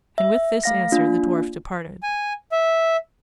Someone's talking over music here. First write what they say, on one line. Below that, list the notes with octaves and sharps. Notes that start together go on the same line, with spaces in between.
And with this answer the dwarf departed.
E5
A3 F5 A#6
A#3 D4 F4
G#5
E5